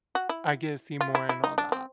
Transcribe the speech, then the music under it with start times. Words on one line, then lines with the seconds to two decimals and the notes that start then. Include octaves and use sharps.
I get see more and all that."
0.15 F#4
0.29 E4
1.01 F4
1.15 E4
1.29 E4
1.44 D#4
1.58 D4
1.72 C4